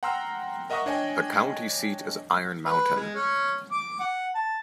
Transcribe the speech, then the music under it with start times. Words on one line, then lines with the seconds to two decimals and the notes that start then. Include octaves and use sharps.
The county seat is Iron Mountain.
0.03 F#5 G5 A#5 C6 E6 F6
0.70 A#4 D#5 E5 F#5 C#6 D#6
0.86 D4 C#5 D#5 G5 G#5
2.65 B4
2.95 G#3
3.15 C#4
3.71 D6
4.00 F#5
4.35 A5